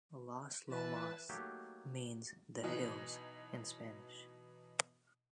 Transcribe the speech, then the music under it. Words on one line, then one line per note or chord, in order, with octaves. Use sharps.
Las Lomas means "the hills" in Spanish.
E3 B4 A5
F#3 A3 A#3 D#4 G4
B2 E3 F#3 D#4